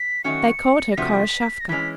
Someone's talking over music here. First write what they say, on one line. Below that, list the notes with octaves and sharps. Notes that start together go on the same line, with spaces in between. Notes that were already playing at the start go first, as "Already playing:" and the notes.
They called her Khoroshavka.
Already playing: B6
D#3 F#3 A3 C#4 F#4 C#7
A#6
C3 F3 A3 D4 F#4 B6
A#6
E3 G#3 C#4 B6